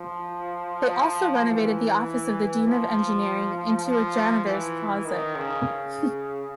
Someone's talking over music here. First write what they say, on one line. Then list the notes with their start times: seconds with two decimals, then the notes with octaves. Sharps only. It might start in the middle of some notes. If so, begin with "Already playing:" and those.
They also renovated the office of the dean of engineering into a janitor's closet.
Already playing: F3
0.88 F3
1.47 E3
2.67 F3
3.87 F3
4.46 E3
5.06 D#3
5.36 C#3